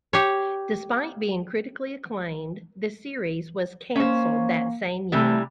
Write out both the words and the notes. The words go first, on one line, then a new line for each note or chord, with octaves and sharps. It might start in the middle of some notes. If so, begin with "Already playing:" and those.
Despite being critically acclaimed, the series was canceled that same year.
G4 C#5
A#3 C#4 C5
C3 E3 G3 A3